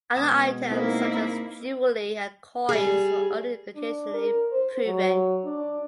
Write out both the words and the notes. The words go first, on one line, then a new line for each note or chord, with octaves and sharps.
Other items such as jewelry and coins were only occasionally proven.
B2 G#3 B3 D#6 G#6 E7
A#3 C4 D#4 E4 A#4
G3 G#4
D4
A#4
C5
F#3
D4